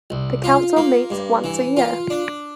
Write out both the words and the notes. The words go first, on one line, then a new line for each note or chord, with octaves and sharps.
The Council meets once a year.
C2
F4
A#3
G2
E3
F4
D4